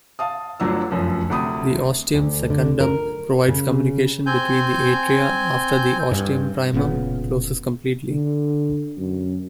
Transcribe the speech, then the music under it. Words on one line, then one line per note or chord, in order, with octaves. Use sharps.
The ostium secundum provides communication between the atria after the ostium primum closes completely.
F5 A5 D#6
G1 D2 F#3 D4 E6
F1 F#2 F3
D2 C3 B5 D#6
D2
D3
A#4
C#3
C4 G#5 G6
G2
E1 A#2 C#3 B3
D3
F#2